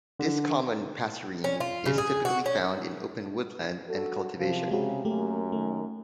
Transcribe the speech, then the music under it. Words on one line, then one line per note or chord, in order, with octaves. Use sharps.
This common passerine is typically found in open woodland and cultivation.
D3
C#4
F4
C#3
G#4
F#4
C#4
F#4 A4
C3 F3
C#3 G#3 F#4 G#4
F#2 A3 A#3 G4
D#3 A3